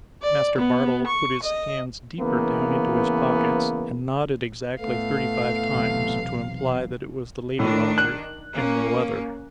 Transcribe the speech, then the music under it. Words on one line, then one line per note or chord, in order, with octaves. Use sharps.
Master Bardell put his hands deeper down into his pockets, and nodded exactly thirty-five times, to imply that it was the lady-lodger, and no other.
D5
B3
C#6
D#5
C#3 E3 A#3 B3
A2 A3 B3 F5
B1 E2 C3
A2 D#3 D4
F#6
A#3 C#4